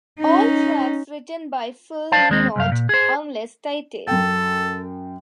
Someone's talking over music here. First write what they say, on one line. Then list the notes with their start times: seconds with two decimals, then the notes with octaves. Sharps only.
All tracks written by Phil Lynott unless stated.
0.20 C#4 D#4
2.12 C5 D5 F5 A5
2.30 D#2 G#3 C4
2.56 C2 F#2 F5
2.72 A#2
2.89 G#4 C5
4.07 F#2 A4 G5